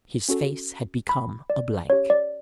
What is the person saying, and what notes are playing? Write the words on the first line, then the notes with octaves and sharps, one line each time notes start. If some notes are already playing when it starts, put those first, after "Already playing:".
His face had become a blank.
C#4 F#4 A4
B5
D5
C#4 G4 C#5
D5